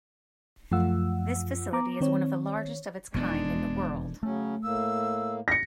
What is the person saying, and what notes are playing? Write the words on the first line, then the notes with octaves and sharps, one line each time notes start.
This facility is one of the largest of its kind in the world.
F#2 F3 A3 F4 F#5 E6
B3 A#5 D6
D#3 C4 C#5
E1 F2 G#3 B3 D4
C#3 F#3 A3 C#4
A2 A#3 E6
A#6 C#7